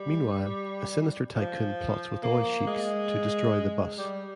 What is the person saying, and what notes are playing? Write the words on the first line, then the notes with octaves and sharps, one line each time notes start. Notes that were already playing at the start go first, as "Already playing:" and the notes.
Meanwhile, a sinister tycoon plots with oil sheikhs to destroy the bus.
Already playing: G3
F3
A#3
G#3
G3